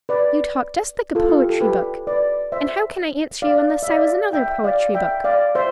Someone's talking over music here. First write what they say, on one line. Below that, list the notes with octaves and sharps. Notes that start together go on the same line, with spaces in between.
You talk just like a poetry-book, and how can I answer you unless I was another poetry-book?
B4 D5
F4 A4
F4
G4
A4
G4 B4
B4 D5
C5 E5
D5 F5
E5
D5 F5
E5 G5
D5 F5
E5 G5
D5 F5
C5 E5